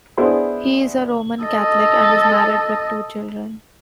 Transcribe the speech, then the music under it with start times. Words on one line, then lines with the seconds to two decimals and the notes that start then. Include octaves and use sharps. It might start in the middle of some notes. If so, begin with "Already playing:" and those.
He is a Roman Catholic and is married with two children.
0.17 B3 D4 E4 G#4 C5
1.45 A4 D#5